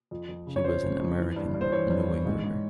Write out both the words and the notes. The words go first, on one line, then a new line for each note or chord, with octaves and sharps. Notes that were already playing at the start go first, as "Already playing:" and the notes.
She was an American, a New Englander.
F2
F2
C#3
C#5
F2 C5
C#3
F2
E3
G2
G2
C5
E3 C#5
G2
E3
G#2
G#2